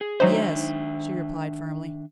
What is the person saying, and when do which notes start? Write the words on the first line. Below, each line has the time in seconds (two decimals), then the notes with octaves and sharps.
"Yes," she replied firmly.
0.01 G#4
0.20 D#3 F#3 D4 D#4 C5 E5